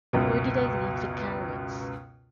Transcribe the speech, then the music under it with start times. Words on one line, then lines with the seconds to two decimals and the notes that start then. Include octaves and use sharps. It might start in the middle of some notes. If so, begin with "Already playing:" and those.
Where did I leave the carrots?
0.13 C#2 F#2 B2